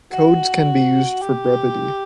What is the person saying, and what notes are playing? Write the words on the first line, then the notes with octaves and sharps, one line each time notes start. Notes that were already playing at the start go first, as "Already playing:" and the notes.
Codes can be used for brevity.
F#4
G4